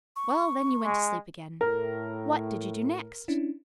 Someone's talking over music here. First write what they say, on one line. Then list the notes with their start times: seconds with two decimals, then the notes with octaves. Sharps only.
"Well, then you went to sleep again. What did you do next?"
0.16 C#6
0.84 G#3
1.61 A2 A#4
3.28 C#4 D4 E4